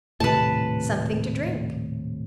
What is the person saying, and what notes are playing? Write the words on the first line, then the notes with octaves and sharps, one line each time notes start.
"Something to drink."
D#1 A2 C3 B4 A5